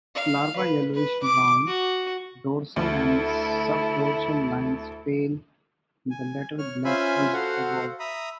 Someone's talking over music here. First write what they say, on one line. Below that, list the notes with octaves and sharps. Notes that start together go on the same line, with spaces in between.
Larva yellowish brown; dorsal and subdorsal lines pale, the latter black -edged above.
F5
B4
B4
D6
F#4
D2 E4 A4
G#5
C#5 F6
C#4 F4 C5 E5 G#5 B5
F#4 A4 C5 F5 F#5
E5 A#5 B5 D#6